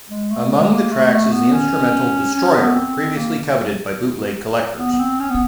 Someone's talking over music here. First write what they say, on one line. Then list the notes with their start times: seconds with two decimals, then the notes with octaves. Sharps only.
Among the tracks is the instrumental "Destroyer", previously coveted by bootleg collectors.
0.09 G#3
0.30 A3
0.51 G#3
0.71 A#3
0.92 A3
1.12 A3
1.32 B3
1.53 C#4
2.34 C#4
2.55 B3
2.74 C4
3.16 A#3
4.79 B3
4.93 B3
4.99 C4
5.20 C#4
5.30 B3